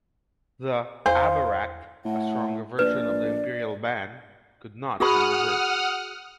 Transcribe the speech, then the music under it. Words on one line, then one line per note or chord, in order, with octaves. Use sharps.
The "Aberacht", a stronger version of the imperial ban, could not be reversed.
E2 C5 F5
A2 F#5
A#1 B4 D5
F#4 G#4 F#5 B5 D#6 F6